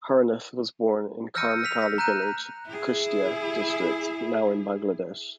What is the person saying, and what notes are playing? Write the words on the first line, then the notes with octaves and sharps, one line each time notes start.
Harinath was born in Kumarkhali village, Kushtia District, now in Bangladesh.
E6 F6 G6 A#6 C#7 D#7
F6 B6 F7
A#6
A#5 F#6 G6 D#7
E4 G#4